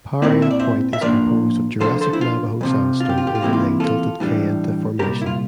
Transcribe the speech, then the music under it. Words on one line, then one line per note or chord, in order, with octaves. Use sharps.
Paria Point is composed of Jurassic Navajo sandstone overlaying tilted Kayenta Formation.
A#2 A3 C4 E4 A#4 D5
E5
D5
C5 E5
E5
A2 F3 A#3 D4 A#4 D5
D2 D3 F3 A4 C5
A4 C5
E4
F4
F2 C3 F3
F4
G4
F4
G4
F4
C2 C3 E3 A#3 E4 G4
F4
F4 A4
A2 E3 G3 D4
C2 A#2 G3 G4 A#4
E4
F4